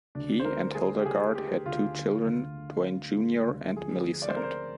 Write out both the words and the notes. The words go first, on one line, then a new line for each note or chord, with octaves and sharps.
He and Hildagarde had two children, Dwain Junior and Millicent.
D2 D4
C5
G#3 A#4
G#3 G#4
G4
D2 G#4
D3 G4
D2 F4
D3
D2
D3
D3
G#3
D2
F3 G#4
F3
D5
C5
C4 A#4
C5